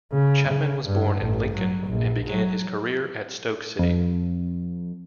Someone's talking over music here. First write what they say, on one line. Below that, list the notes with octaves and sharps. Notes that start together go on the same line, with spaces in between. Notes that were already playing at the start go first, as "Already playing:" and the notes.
Chapman was born in Lincoln and began his career at Stoke City.
C#3
C#3
G2
A1
F#3
A#1
F#3
F2